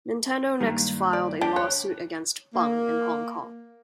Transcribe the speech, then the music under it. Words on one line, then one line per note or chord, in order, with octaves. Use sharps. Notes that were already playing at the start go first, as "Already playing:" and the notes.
Nintendo next filed a lawsuit against Bung in Hong Kong.
G2 D#3 A#3
D5
D4 G4 G5 D6
C#5 F#6
A#3